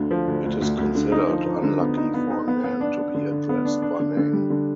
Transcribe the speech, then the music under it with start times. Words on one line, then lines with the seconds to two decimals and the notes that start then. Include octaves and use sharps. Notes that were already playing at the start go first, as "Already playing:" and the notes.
It is considered unlucky for a man to be addressed by name.
Already playing: D2 D3
0.11 F3
0.28 D2
0.45 D2
0.62 D2
0.78 D2
0.95 D3
1.12 D#4
1.29 F3
1.46 F3
1.63 D3
1.80 B3
1.97 D#4
2.14 B3
2.31 D#4
2.48 B3
2.64 B3
2.81 D4
2.98 D4
3.14 D3
3.31 D3
3.49 B3
3.65 D4
3.82 D4
4.00 D3
4.17 D3
4.33 G3
4.50 D3